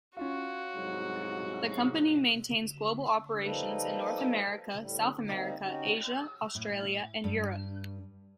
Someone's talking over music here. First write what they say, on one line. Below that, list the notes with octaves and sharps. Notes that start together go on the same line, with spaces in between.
The company maintains global operations in North America, South America, Asia, Australia, and Europe.
C#4 F4 F#4 F5
C2 G#2 F#3
F3 G3 A#3 D#4 A4 B4
A2 G3
G3 A#3 C4 D#4
C#4 D#4 F#4 G4
A2
G2